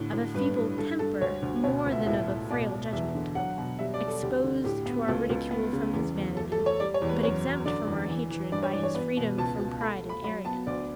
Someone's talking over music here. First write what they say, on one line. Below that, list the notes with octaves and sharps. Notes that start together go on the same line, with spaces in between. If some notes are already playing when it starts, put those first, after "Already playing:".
Of a feeble temper, more than of a frail judgment; exposed to our ridicule from his vanity; but exempt from our hatred by his freedom from pride and arrogance.
Already playing: A2 D3
A2
G2 B4
G2
G2 A4
G2 A4
D2 C#5
D2
B2 C#5
C#2
E5
A2 E5
A2
B2 D5
B2
E2 E5
D3
F#3 F#5
B2
G3 E5
D5
G3
A4
D2 G4
D3
A2 G4
B3
C#2 A4
C#2
B3
C#3
E2
E2
A3 A4
A4
A3
C#5
G3 D5
C#5
E2
B4
F#2 C#5
F#2
D3 D5
E2
E3
E3
G2 D5
C#5
E3 D5
C#5
B3 B4
B2
C#2 A5
C#2
A3 B5
A3
B5
F#3 B5
B3 A5
D2 D5